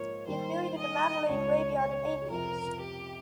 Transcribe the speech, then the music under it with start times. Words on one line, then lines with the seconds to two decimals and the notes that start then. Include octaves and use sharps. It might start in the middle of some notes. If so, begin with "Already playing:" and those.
He is buried in the Madelaine graveyard in Amiens.
Already playing: G#2 F3 A#3 F4 C#5
0.27 D#3 G3 A#3 C5
0.78 D#5
1.28 C#2 C#3 G#3 C#5
1.79 C#5
2.30 F2 C3 F3 A#4
2.80 G4